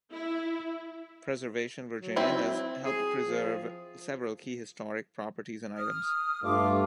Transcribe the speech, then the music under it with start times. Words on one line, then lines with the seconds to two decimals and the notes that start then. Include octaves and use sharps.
Preservation Virginia has helped preserve several key historic properties and items.
0.12 E4
1.98 F#3
2.16 C4 E4
2.83 G#4
3.24 F3
5.76 D#6 F6
6.43 G2 A3 F4 D6